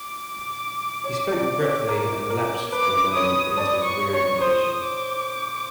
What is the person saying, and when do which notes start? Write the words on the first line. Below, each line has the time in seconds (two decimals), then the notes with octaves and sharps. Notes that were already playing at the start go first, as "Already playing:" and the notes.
He spoke regretfully and lapsed for a moment into his weary condition.
Already playing: D6
1.04 C#5
1.32 D5
1.61 C#5
1.88 A#4
2.30 A#4
2.72 B4 D6
3.14 C#5 D#6
3.57 D5 D#6
3.84 C#6
4.13 C#5 C#6
4.41 C5 D#6
4.83 D6